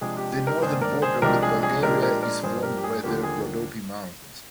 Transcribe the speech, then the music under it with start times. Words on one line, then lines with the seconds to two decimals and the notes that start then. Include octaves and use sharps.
The northern border with Bulgaria is formed by the Rhodope Mountains.
0.01 C3 F3 G#3 D4 G#4
0.17 G4
0.32 G4
0.47 G4 A#4
0.62 G#2 D#3 A#3 D4 G#4 C5
0.82 A#4 D5
1.02 G#4 C5
1.22 C2 C3 F3 G#3 D4 G4 A#4
1.43 G#4
1.63 G#4
1.82 A#2 F3 G#3 D4 G4 A#4
2.03 G4 A#4
2.23 A#4 D5
2.43 G2 F3 A#3 D4 G#4 C5
2.63 G4 A#4
2.77 G4
2.84 G#4
3.03 D#2 D3 F3 A#3 G4
3.23 G#4